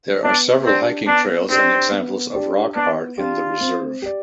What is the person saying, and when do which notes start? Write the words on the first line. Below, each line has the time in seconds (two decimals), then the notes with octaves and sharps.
There are several hiking trails and examples of rock art in the reserve.
0.24 B3 D4
0.65 C4 D4 G4 D5
1.07 B3 D4
1.50 C4 D4 G4 D5
1.92 B3
2.34 D4 G4 D5
2.76 B3 D4
3.18 D4 F4 G4 D5
3.61 C4
4.02 G4 D5